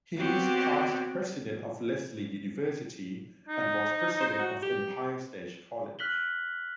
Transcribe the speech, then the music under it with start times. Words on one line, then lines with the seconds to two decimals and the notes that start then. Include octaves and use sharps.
He is past president of Lesley University and was president of Empire State College.
0.17 B3 C4 F#4 G4 C#5
3.49 D#4
4.20 C5
4.39 F#4
4.63 G4
5.99 F6 F#6 B6 F#7 G7